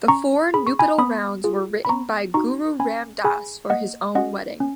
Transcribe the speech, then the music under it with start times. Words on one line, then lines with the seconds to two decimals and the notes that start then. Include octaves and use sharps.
The four nuptial rounds were written by Guru Ram Das for his own wedding.
0.08 C#4 A#5 C#6
0.54 G#4 B5
0.67 C#6
0.79 G#5 B5
0.98 B3 B5 D#6
1.44 F4 G#4
1.85 B5
1.89 B3 A#5 C#6
2.34 D#4 F#4 A#5 C#6
2.80 C#4 G#5 B5
3.24 G#4 G#5 B5
3.70 A#3 D#5 F#5
4.15 C#4 F#4 D#5 F#5
4.60 C#4